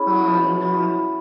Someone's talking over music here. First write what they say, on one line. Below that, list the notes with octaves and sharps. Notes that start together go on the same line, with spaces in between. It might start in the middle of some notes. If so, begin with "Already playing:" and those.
Oh, no.
Already playing: C#4 E4 G#4
F#3
B2
C#4
E4